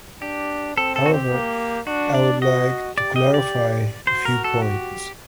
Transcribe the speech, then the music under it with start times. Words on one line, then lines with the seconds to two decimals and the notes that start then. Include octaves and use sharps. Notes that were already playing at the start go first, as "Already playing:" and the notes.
However, I would like to clarify a few points.
0.22 D4 G4
0.77 C4 A4
0.96 A4
1.06 F#4
1.14 G4
1.32 A#3
1.87 D4 F#4
2.15 D5
2.42 F#4 D#5
2.97 G4 D5
3.16 D#5
3.34 D5
4.07 F#4 C5
4.25 A#4
4.44 A4
4.62 G4